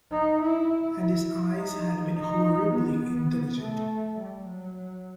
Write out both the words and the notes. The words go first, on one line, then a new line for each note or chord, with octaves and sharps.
And his eyes had been horribly intelligent.
D#4
E4
E4
D#4
D#4
B3
A3
G3
F#3